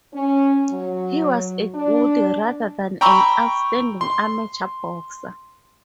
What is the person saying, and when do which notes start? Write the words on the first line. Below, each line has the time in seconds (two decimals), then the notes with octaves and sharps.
He was a good rather than an outstanding amateur boxer.
0.14 C#4
0.72 F#3
1.75 D4
3.01 G5 A#5 B5 C#6 E6
4.01 C6